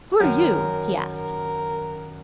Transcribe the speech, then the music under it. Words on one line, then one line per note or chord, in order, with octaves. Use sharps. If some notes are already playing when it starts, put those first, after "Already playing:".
"Who are you?" he asked.
F#2 D#3 A#4
A#4